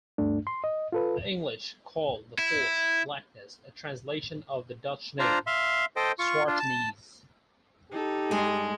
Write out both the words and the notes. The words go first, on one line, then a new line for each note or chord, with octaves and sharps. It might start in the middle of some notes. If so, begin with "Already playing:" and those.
The English called the fort 'Blackness', a translation of the Dutch name "Swartenisse".
D2 G2 A3 D4
C6
D#5
F4 A4 B4
E4
D4 F4 C5 A#5
E5 F5 C6
A4 C5 D#5 G5
F4 C#6
D4 F4
A5
D#4 G4 A4
G2 G#3 G#4